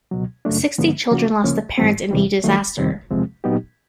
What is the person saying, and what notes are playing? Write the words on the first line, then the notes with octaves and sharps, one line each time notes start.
Sixty children lost a parent in the disaster.
C#2 B2 F#3
F#2 C#3 F#3 A3 D4
G2 D3 F3 G#3 B3
C#3 F3 A#3 C#4 F#4
D2 C#3 F3 A#3 C#4
G#2 E3 G3 C4
E2 C3 E3 G3
D#3 F#3 A3
F2 C3 D#3 G3 C4
E2 C3 F3 G#3 C4
A#2 F#3 B3 D#4 G4